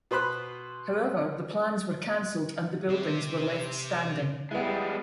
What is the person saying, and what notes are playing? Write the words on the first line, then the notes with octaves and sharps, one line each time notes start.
However, the plans were cancelled, and the buildings were left standing.
B2 B4 C5 B5 F#6
C3
G3 G#3 B3 E4